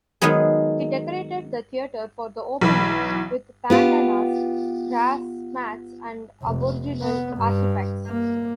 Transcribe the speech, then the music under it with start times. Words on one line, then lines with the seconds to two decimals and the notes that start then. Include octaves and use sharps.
He decorated the theatre for the opening with pandanus, grass mats and Aboriginal artefacts.
0.22 D#3 F#3 G#3 B3 G#4
2.61 B1 E3 B5
3.70 B3 F4 G4
6.43 F1
7.01 B3
7.36 G2
8.06 A#3